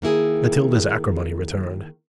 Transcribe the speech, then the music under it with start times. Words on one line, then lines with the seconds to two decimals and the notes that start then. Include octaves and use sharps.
Matilda's acrimony returned.
0.02 D#3 A#3 E4 G#4